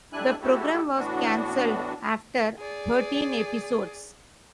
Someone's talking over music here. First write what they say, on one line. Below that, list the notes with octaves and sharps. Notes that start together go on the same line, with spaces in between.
The program was cancelled after thirteen episodes.
F2 G3 D4 E4 G#5 F#6
G#3 A3 E4 F#4 G4 A4
A2 E3 B3 D4 F#4
G#4 D5